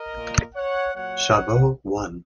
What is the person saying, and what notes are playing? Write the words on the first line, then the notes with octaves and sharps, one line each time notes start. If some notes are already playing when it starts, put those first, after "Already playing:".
Chabot won.
Already playing: A#4 D#5
A#2 A#3
C#5 F#5
A#2 F#3 A#3 C#5 F#5